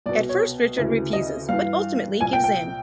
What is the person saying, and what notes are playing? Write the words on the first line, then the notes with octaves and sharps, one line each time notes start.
At first Richard refuses but ultimately gives in.
C2 B2 D5
C#5
D2 C#3 E3
D#5
G2 E3 F5
C2 A#2 G#5
G5
G5